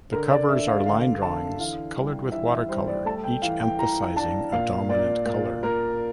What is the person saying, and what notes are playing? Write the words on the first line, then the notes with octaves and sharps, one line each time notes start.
The covers are line drawings colored with watercolor, each emphasizing a dominant color.
D3 A#4
D5
D3 E5
F5
D3 F5
D3 A5
E3 F5
G3
E3 E5
E5
G3 C5
D5
A3 A5
G5
E3 F5
G5
E3 A#5
D4 A5
A#2 F5
A#2 D5
A#2
A#2 A#4